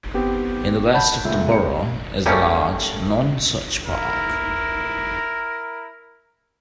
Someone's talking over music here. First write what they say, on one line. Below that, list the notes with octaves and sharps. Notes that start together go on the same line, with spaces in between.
In the west of the borough is the large Nonsuch Park.
B3 C4 G4
C#5 F#5 A5 B5 G6
C#2 A#2 A3 E5
C3 C#7
G3 A3 A#3 C#4
E4 A#4